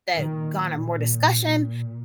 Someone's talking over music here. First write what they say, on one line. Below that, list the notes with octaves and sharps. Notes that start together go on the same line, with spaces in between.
that garner more discussion
A#2 D#3